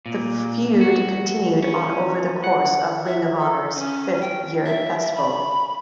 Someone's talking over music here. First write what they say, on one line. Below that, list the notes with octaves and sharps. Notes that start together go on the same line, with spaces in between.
The feud continued on over the course of Ring of Honor's Fifth Year Festival.
A#2
F#4
C#4
F#5
E5
A4
C#4
G5
E5
E5
B5